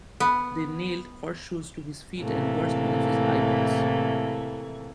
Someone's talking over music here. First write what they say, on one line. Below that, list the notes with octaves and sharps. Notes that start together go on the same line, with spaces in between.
They nailed horseshoes to his feet and burst one of his eyeballs.
B3
A2 C3 E3 A3 A#3